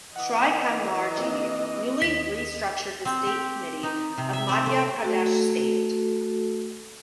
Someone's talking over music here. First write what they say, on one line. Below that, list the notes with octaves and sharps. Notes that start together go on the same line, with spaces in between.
Shri Kanwar ji newly restructured the state committee of Madhya Pradesh State.
E3 D#5 F#5 D#6
A#3 C4 G4
D#2 B6
C4
G4
D#4
C3
E5
C4
A3
A3 F#4 A4